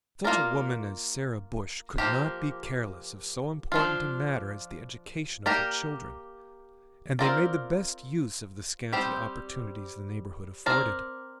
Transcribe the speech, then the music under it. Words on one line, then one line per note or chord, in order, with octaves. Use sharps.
Such a woman as Sarah Bush could not be careless of so important a matter as the education of her children, and they made the best use of the scanty opportunities the neighborhood afforded.
A#3 F4 A#4 D5
F3 A#3 G4
F3 D4 F4
A#3 G4 A#4 D5
C4 F4 A#4 D5
G3 C4 G4 C5
C4 A#4 D5